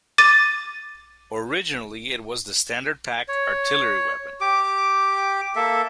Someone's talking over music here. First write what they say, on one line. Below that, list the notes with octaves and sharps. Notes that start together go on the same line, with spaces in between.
Originally it was the standard pack artillery weapon.
D6 A6 D#7
C#5
G4 D6
A#3 A4 E5